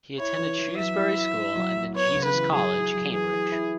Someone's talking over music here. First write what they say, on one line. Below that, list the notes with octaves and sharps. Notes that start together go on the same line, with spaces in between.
He attended Shrewsbury School and then Jesus College, Cambridge.
E4 C#5
E3
E3
F#3 E5
E4
E4
E4
F#3
F#3
B3 C#5
C#3
B4
E3
F#3 G#4
E4
F#3
E3 G#4
E3
E4